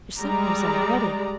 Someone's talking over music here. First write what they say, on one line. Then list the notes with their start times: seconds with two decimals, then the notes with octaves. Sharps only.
Your supper is all ready.
0.18 G3 G#3 D5 A#5